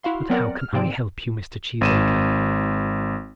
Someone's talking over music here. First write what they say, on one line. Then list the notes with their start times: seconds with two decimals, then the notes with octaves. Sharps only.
"But how can I help you, Mr. Cheesacre?"
0.03 E4 F#4 F5 C6
0.30 F#3 B3 C4 A#4 D5 F#5
0.59 F6
0.73 G#2 C3 A#3 C4 D5 D7
1.81 G#1 D#7 E7